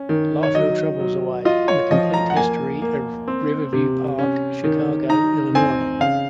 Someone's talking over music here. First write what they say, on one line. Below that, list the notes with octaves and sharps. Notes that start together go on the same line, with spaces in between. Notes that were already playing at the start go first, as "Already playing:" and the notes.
"Laugh your troubles away : The complete history of Riverview Park, Chicago, Illinois".
Already playing: C#4
D#3
C#5
F#3 D#5
F#3
F4 D#5
C#5
F3 D#5
A#5
F#5
A#3 G#5
A#3
C4
C3
C#4
D#3
D#4 A#5
C4 G#5
C#3 F5